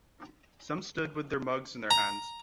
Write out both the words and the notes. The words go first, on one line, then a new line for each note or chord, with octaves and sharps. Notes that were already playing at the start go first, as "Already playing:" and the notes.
Some stood with their mugs in their hands.
A#5